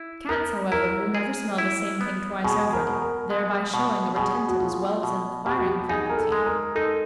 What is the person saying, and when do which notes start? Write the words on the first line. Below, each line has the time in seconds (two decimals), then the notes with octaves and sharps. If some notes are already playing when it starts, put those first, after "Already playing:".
Cats, however, will never smell the same thing twice over, thereby showing a retentive as well as an acquiring faculty.
Already playing: E4
0.29 B3 A#4
0.72 E4 A#4
1.15 G#4
1.58 E4
2.01 B3
2.44 B2 G#4
2.73 A#4
2.87 B2
3.02 A#4
3.30 G#3
3.74 B2
4.16 B2 G#4
4.48 F#4
4.60 B2 F4
5.03 B2
5.46 B2 G4
5.57 F#4
5.66 G4
5.89 D#4 G#4
6.10 A#4
6.18 A4
6.32 G#3
6.46 A#4
6.75 D#4 A4